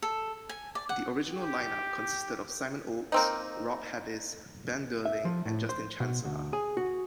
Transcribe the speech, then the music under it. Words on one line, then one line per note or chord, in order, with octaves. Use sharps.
The original line-up consisted of Simon Oakes, Rob Havis, Ben Durling and Justin Chancellor.
A4
G#5
D5
F#5
G4
A#3 C4 D#4
E5
F3
A2
C5
B2
D2
G#4
F#4